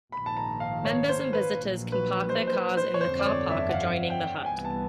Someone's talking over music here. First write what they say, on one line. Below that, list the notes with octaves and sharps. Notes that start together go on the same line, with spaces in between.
Members and visitors can park their cars in the car park adjoining the hut.
A#1 G#2 D#3 B5
A5
A#5
F5
C#5
C5
B4
A#1 A#2 F#3
B4
C5
C5
B4
C5
C#5
G1 F2 D3 C5
D5
C#5
E5
F#5
F5
G5
C2 C3 E3 G3 B3 G#5
A5